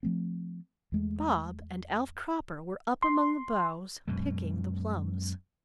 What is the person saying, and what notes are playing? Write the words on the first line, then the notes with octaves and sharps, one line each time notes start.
Bob and Alf Cropper were up among the boughs picking the plums.
F3 A3 C4
E2 G#3 A3
C6
F#2 B2 G#3